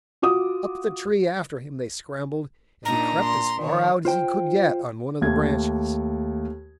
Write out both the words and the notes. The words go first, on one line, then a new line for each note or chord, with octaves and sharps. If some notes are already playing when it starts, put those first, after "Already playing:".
Up the tree after him they scrambled, and he crept as far out as he could get on one of the branches.
F4 F#4 D6 D#6
A#2 D4 D#4 A#5
C6
D#3 C#5
F4 C5 G5
D#2 A3 G#6